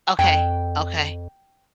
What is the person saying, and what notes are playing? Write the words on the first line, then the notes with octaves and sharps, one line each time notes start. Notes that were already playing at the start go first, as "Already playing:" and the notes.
Okay. Okay.
F2 G5